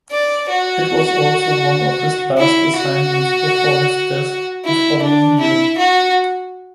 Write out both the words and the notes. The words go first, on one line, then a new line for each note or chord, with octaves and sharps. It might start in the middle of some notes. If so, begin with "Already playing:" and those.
It was also one of his last assignments before his death the following year.
D5
F#4
E4
F#4
E4
D4
E4
F#4